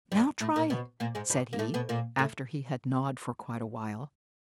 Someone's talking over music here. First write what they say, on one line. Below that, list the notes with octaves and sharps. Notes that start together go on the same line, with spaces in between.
"Now try it," said he, after he had gnawed for quite a while.
G2 G3
A2 A3
A#2 A#3
B2 B3
A#2 A#3
G#2 G#3
G2 G3
A#3
A2 A3
B2 B3
A#2 A#3
A2 A3